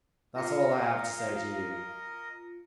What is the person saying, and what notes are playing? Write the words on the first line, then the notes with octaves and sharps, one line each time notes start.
That's all I have to say to you.
F4 A#4 D#5 F5 C#7